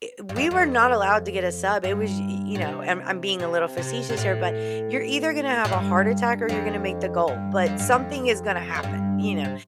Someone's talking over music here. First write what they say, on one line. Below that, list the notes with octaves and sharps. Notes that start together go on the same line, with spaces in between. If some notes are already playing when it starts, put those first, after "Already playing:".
eh, we were not allowed to get a sub. It was y you know and I'm I'm being a little facetious here, but you're either gonna have a heart attack or you're gonna make the goal. But something is gonna happen, you know?
G2
F2
F2
G2
A2
C3
C3
C3
C3
A2
A2
G2
F2
G2
F2
G2
F2
F2
G2
C3